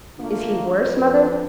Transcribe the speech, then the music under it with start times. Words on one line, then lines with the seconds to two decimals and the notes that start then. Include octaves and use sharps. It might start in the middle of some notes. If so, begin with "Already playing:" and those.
"Is he worse, mother?"
0.19 D3 A3 A#3 D4 F4
0.84 F2 B4